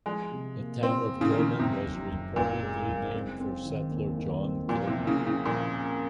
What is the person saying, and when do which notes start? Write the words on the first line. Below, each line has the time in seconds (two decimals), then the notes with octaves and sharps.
The town of Gilman was reportedly named for settler John Gilman.
0.06 F3 G#3
0.32 C3
0.57 A#3
0.82 A#3 C4
1.08 A#3
1.21 C#3
1.30 D#3 F3
1.39 C#3
1.59 F#2 C3
1.86 F#1
2.11 F#1
2.36 F#1 A#2
2.63 G#3
2.88 F#1
3.14 C4
3.40 C4
3.65 D#3
3.91 D#2
4.18 D#3
4.42 C4
4.68 A#2 F3
4.87 C3
4.94 A#3
5.07 C#3
5.20 F3
5.26 C#3
5.45 A#2 F3
5.71 A#3